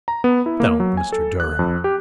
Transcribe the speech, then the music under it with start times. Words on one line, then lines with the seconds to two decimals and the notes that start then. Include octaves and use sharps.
"Don't, Mr. Durham!"
0.08 A#5
0.24 B3
0.46 E4
0.60 A#3
0.80 F#3
0.97 G#5
1.12 A4
1.40 F#6
1.59 F2
1.84 G4